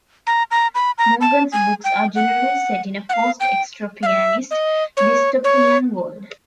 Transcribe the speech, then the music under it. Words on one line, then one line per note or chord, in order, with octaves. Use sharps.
Morgan's books are generally set in a post-extropianist dystopian world.
A#5
A#5
B5
A#5
A5
G#5
G5
F#5
F#5
F5
G5
F5
E5
D#5
C#5
C#5